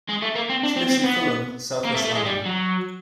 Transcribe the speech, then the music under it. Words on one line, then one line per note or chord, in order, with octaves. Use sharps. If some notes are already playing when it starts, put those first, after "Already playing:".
She lives in Fulham, South West London.
G#3
A3
A#3
C4
D4
C4
C4
B3
A#3
A3
A3
G#3
G3
F#3